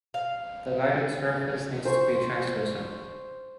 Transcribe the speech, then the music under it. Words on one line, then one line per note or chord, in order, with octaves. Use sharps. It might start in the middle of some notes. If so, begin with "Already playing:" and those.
The lighted surface needs to be translucent.
F5
C5 C#6